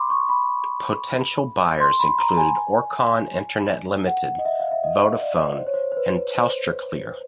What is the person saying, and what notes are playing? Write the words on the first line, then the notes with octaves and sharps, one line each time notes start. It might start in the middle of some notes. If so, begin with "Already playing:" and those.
Potential buyers included Orcon Internet Limited, Vodafone and TelstraClear.
Already playing: B5 C6 D6
C#6
B5
C6
B5
A#5
G#5
F#5
D#5
E5
F5
E5
D#5
D5
C5
C#5
C5
C5
B4
C5